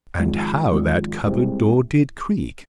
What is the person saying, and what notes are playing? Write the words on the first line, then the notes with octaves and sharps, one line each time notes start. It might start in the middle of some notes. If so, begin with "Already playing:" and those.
And how that cupboard-door did creak!
G#1 G#2 F3
G#1 G#2 F3
C2 C3 G#3 C4 G#4